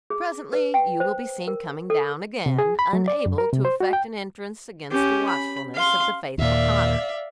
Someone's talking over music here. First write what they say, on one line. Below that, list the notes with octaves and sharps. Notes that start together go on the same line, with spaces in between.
Presently you will be seen coming down again, unable to effect an entrance against the watchfulness of the faithful Connor.
G#4
B4
G5
C5
A#4
A4
C3
G#4
B5
F#3
D5
F#2
A#4
C3
C5
F#4
G5
C#4 G4
B5
F5 C6
D#2 A#2 D5 E5 F5